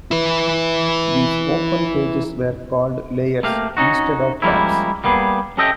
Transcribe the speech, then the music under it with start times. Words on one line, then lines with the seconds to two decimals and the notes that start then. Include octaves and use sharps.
These open pages were called "layers" instead of tabs.
0.11 E4 B4
3.43 A3 A#3 G4 F5
3.77 C#4 D#4 F#4
4.42 F3 G3 G#3 A#3 C#4 E4
5.04 G3 A#3 B3 G#4
5.57 C#4 G4 A4 D#5 E5 G5